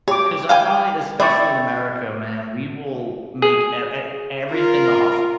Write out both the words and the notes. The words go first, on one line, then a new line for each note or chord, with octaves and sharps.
'Cause I find, especially in America, man, we will make e e everything a hustle.
G4 C#5 D6
F5 G5 G#5
C4 E4 D5 C#6
G#4
F4 A#4